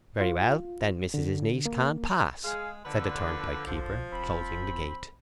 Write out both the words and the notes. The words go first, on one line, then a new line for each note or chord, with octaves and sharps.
"Very well; then mis'ess's niece can't pass," said the turnpike-keeper, closing the gate.
F4
D3
A#3
G#3 G#4 F5
D3 F3 A#3 B4
B1 F3
C2
E1 C4 B5